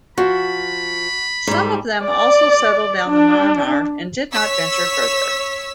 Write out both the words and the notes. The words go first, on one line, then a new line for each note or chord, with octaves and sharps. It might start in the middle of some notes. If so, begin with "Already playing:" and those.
Some of them also settled down in Myanmar and did not venture further.
F3 F#4 B5
G#2 G3
D5
D4
C#5 E6 B6